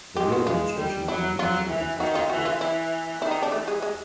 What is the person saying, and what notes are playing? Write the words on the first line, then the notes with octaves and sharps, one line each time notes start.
The real administration is in the hands of the ancestral spirits.
G#3 G4
F#4
G#3 F4
G3
F#3 E4
F#3 F4
E3
D#3 F#4
F4
E3 F#4
F4
E3 E4
D#3 E4
D#4
D4
E3 A3
G#3
G#3